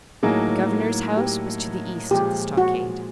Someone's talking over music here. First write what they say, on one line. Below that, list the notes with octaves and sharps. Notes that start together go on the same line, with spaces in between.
The governor's house was to the east of the stockade.
A2 F#3 A#3 D#4 G#4
G4
A#2 F3 G#3 G4
F#4